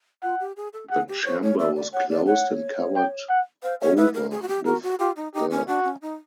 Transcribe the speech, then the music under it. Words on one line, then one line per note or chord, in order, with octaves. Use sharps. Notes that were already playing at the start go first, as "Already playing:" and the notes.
The chamber was closed and covered over with earth.
F4 F#5
G4
G#4
A4
G#4 F#5
G4
C5 C#5
C#5
D5 E5
D5
C#5 F#5
D5
C#5 F#5
G5
F#5
C5 F5
C#5
B4 E5
A#4
G#4
F#4
G4
F#4 A#4
F#4
F4 G4
D#4
D#4 G4
C#4
D4 F#4
C#4
D#4